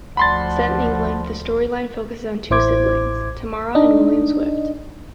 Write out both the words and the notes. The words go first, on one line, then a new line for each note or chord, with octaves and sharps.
Set in England, the storyline focuses on two siblings, Tamara and William Swift.
D2 F3 D5 F#5 A5 B5 C6 A6
A1 E4 C5 D6 G#6
D4 D#4 D#5